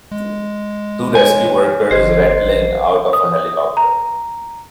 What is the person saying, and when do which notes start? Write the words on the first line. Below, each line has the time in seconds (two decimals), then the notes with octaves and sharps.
Two rescue workers rappelling out of a helicopter.
0.12 G#3
1.15 C#5 G#5
1.91 G1 G4 C5 D#5 G#6
2.44 A1
3.13 D#6
3.77 A#5